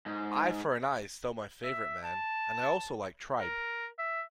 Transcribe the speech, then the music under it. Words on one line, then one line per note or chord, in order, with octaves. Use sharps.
Eye For an Eye is still my favourite, man, and I also like Tribe.
G#2
E5
A5
A#4
E5